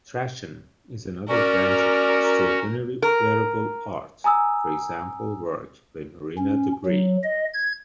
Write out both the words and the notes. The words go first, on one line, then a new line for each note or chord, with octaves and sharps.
Trashion is another branch of extraordinary wearable art, for example, work by Marina DeBris.
C#4 F#4 A#4 D5
A#4
G#5 A#5 D#6 E6
C#4
F#3
D#5
G#6